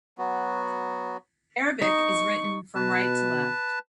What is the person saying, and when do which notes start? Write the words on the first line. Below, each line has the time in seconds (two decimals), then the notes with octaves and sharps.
Arabic is written from right to left.
0.18 F#3 B3 F#4
1.82 D#4 C#6
2.75 B2 B4 A5